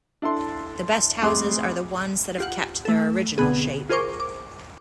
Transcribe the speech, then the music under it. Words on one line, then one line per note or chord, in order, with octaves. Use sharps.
The best houses are the ones that have kept their original shape.
D4 E4 A4 C6
F1 A2 G#4 C6 D6
F4 G4 F#5
A3 A4
C2 B2 D3 B3 G#4
F4 G#4 A#4 C5 C#6 D6
D6